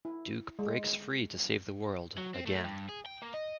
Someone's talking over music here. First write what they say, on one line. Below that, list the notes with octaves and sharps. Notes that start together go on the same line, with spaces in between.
Duke breaks free to save the world, again.
E4
G#3
F#3
C4
A3
G2
G#4
G5
A#3
D#5